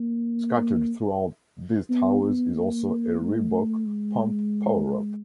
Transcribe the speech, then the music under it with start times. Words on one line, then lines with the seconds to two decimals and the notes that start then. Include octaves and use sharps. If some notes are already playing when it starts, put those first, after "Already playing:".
Scattered throughout these towers is also a Reebok Pump power-up.
Already playing: A#3
0.58 A#3
1.89 B3
2.22 B3
2.55 A#3
3.21 A3
3.86 G#3